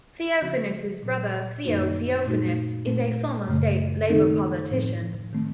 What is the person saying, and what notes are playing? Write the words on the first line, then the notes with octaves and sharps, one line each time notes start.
Theophanous' brother Theo Theophanous is a former state Labor politician.
C#3 F3 C4 F#4
A#2 F#3 C4
F#2 D#3 A#3 D#4 F#4
A#2 A3 D#4 F#4
A#2 A3 C4
F#2 C#3 A3
D#3 A3 C4 D#4 A4
A2 F3 C4
D#3 A3 C4